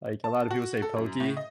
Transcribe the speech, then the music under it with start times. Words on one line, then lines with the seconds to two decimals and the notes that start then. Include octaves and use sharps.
Like, a lot of people say pokey,
0.24 A5
0.51 F#4
0.82 A4
0.96 F#2
1.20 A2
1.37 D#5